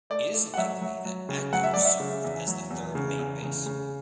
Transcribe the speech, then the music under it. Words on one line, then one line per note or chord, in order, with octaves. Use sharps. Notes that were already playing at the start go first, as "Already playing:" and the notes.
It is likely that Acco served as the third main base.
A3 D5
A3
F#5
F#3 E5
F#3
F#3
C#3
F#3 F#5
E5
F#3 D5
E5
C#3
E2
F#3
E2
C#3
E2
C#3
C#3